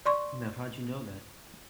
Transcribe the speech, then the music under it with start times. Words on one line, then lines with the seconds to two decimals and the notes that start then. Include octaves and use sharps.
Now how'd you know that?
0.06 D5 C6 C#6